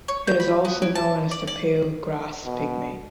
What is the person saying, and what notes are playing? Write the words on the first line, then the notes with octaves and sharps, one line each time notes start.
It is also known as the pale grass pygmy.
C#5
G6
B5
B3
E4
A5
D5
D5
B2